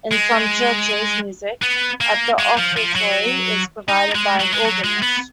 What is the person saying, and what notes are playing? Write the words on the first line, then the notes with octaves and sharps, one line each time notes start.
In some churches music at the offertory is provided by an organist.
G#3
B3
A#3
G#3
F3
F3
F#3
D#4
G#3
F#3
G#3
F#3
G#3
B3